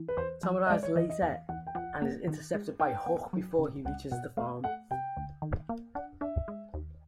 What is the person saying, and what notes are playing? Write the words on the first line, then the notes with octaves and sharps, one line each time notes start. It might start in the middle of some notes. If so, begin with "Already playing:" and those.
Tom arrives later and is intercepted by Huck before he reaches the farm.
Already playing: E3
B4
E2 C5
F3
D#5
G#3 D5
C#5
E3 D#5
D#5
E2 F5
E2 F#5
G5
F3 F#5
A#3
D#3
G#3
D#4 G5
B3
F#3
C#3
C#2 F#5
B2 F#5
A3 F5
A3 F#5
C3 G5
D2
D#3
A#3
D4 F#5
D4 E5
G#3
D#2